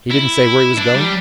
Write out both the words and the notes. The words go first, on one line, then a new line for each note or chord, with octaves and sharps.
"He didn't say where he was going?"
E4
D4
G3